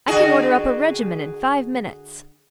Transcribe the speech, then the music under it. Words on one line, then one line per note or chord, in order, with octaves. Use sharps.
'I can order up a regiment in five minutes.'
D3 F#4 G#4